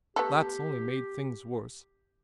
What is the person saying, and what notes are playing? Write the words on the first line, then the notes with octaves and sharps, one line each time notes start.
That's only made things worse.
A3 B3 G4 A4